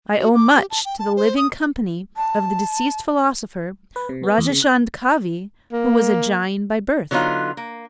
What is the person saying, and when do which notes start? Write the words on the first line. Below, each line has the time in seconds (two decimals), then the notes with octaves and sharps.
I owe much to the living company of the deceased philosopher, Rajachand Kavi, who was a Jain by birth.
0.19 F#4
0.35 D6
0.56 G4
0.70 A5
0.85 G5
0.99 A5
1.16 C5
1.37 D#6
2.17 A5
3.96 B4
4.09 C3
4.23 B3
4.38 E2
4.50 C#3
4.63 F#6
5.72 A#3
7.11 D3 F#3 B3 D#4 F4
7.57 A#3